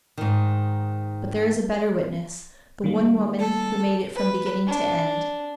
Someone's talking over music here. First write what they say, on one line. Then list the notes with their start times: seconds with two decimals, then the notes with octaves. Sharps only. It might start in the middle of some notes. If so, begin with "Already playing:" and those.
But there is a better witness, the one woman who made it from beginning to end.
0.17 G#2 D#3
2.84 D#3 G3 A#3
3.38 A4
4.15 B4
4.67 D4